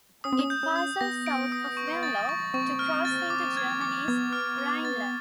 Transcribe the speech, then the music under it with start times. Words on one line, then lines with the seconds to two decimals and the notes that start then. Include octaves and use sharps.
It passes south of Venlo to cross into Germany's Rhineland.
0.24 C#4 D#6
0.32 C4
0.39 C#4
0.50 G6
0.63 C#4
0.76 D#6
1.01 B3 A#6
1.27 D7
1.52 D#6
1.77 C#6
2.03 A6
2.29 C#6
2.54 C4 C#6
2.79 F6
3.05 A6
3.30 D6
3.57 G#6
3.81 D6
4.08 B3 G#6
4.33 F6
4.58 D6
4.85 A6